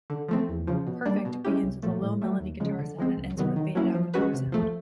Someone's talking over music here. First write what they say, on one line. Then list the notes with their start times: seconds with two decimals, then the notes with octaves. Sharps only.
"Perfect" begins with a low-melody guitar-sound and ends with a faded out guitar-sound.
0.10 D3
0.29 F3 A3 C4
0.49 E2
0.67 C#3 F3
0.87 B2
1.05 G3 A#3 D4
1.25 B2
1.45 G#3 C#4 E4 G4
1.63 C2
1.83 A#2 F3 A3
2.02 A2
2.22 F#3 A3
2.40 D#2
2.60 C#3 F3 G#3
2.79 D3
2.99 F3 G#3 C4
3.17 C#2
3.37 C3 D#3 F#3 B3
3.56 D#3
3.75 F#3 A#3 C#4 E4
3.95 F3
4.14 G#3 C#4 F#4 B4
4.33 C3
4.52 F3 A3